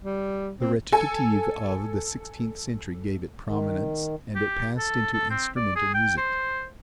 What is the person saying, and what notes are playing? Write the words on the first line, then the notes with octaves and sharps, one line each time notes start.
The recitative of the sixteenth century gave it prominence, and it passed into instrumental music.
G3
C4
A4 G#5
D#3
G4
A4
A4
C4
D5
G#4
G5
C5